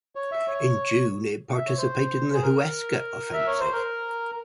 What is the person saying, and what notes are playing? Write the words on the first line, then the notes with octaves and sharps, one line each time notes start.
In June it participated in the Huesca Offensive.
C#5
E5
C#5
E5
C#5
C5
G#4
A#4
E5
C#5
C5
A#4